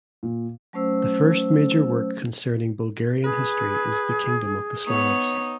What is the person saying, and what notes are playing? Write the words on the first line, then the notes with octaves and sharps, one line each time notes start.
The first major work concerning Bulgarian history is the Kingdom of the Slavs.
A#2
F#3 A3 C#4 C5 E6
G#4 B4
B3 D#4 C#5